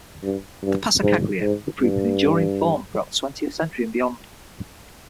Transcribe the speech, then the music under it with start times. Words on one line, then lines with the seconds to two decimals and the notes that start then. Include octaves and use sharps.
The passacaglia proved an enduring form throughout the twentieth century and beyond.
0.23 G2
0.63 G2
1.02 G#2
1.41 G#2
1.80 G2